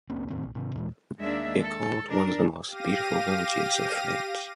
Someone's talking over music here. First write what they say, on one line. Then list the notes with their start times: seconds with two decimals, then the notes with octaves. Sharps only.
It called one of the "most beautiful villages of France".
0.09 C#2 A#3 C4 C#4
0.30 E2 A2 D#3 C4
0.43 A#1
0.55 G#1 C3
0.75 D#2 A#2 E3 G#3
1.21 D#2 G#3 A#3 D4 E5
1.63 A4
2.09 D4 A#4
2.67 G4 F5 A#6 D#7